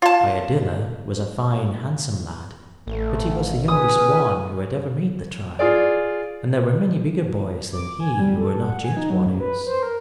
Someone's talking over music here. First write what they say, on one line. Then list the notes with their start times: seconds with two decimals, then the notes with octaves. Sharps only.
Iadilla was a fine handsome lad, but he was the youngest one who had ever made the trial, and there were many bigger boys than he who were not yet warriors.
0.02 F4 A5
2.87 A1 A3
3.68 C#2 B4 G#5 D#6 F6
5.59 F4 G#4 D5
7.72 D6
8.00 G#5
8.19 G3
8.38 A4
8.63 F#5
8.84 G#5
8.97 D#4
9.10 F#3
9.26 F#2
9.40 B4
9.67 C5
9.83 A#4